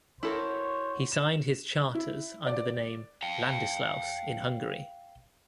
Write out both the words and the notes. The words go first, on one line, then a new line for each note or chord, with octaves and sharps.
He signed his charters under the name Ladislaus in Hungary.
E4 F#4 A4 A#4 C5 C#5
E7
E4
D5
F5 G5